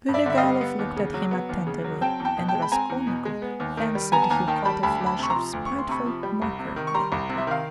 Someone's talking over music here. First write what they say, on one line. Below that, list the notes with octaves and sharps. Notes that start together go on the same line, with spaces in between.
Svidrigailov looked at him attentively and Raskolnikov fancied he caught a flash of spiteful mockery in that look.
G2
D5 E5
D3 E5
D#5 F5
G3
B3
D#2
C#3
F#3
B3
D#2
C#3
F#3
C4 G5 A5
E2
G5 A5
B2
G5 A5
G#3
B5
C4 G#5 A#5
E2
B2
G#3
B3
D#2
D#3
G3
B3 G#5 A#5
A5
D#2 G#5 A#5
D#3 G5 A5
G3 A5 B5
D2 A5 B5
D2
A5 B5
C3 C#6
A#5 C6
F3
D2
C#6
D2
C6
C3 B5 C#6
F3
G3
C2
C3
D#3
C#6
G3 A#5 C6
C2
C3
E5
D#3 F5